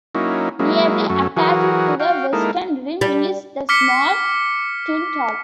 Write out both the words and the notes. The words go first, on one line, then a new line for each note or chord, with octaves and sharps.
Nearly attached to the western rim is the small Tyndall.
F#3 A#3 C#4 D#4 E4
F#3 G#3 A#3 E4
F#2 F#3 A3 C#4
E3 F#3 F#4 G#4 A#4
F#4 F5 G5
G#3 A#3 D#4 E4 A4 A#4
G3
D6 F6 B6 C#7